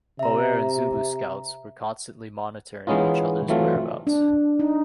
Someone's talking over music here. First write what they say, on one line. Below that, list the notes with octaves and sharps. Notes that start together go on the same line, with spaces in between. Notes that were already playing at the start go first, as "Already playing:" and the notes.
Boer and Zulu scouts were constantly monitoring each other's whereabouts.
C3 E5 A#5
E3 G#3 B3 C#4 D#4 F4
E3 F#3 A3 C4 F4
D4
D#4